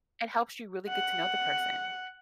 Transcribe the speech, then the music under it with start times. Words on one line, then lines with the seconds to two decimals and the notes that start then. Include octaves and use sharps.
it helps you really get to know the person.
0.89 F#5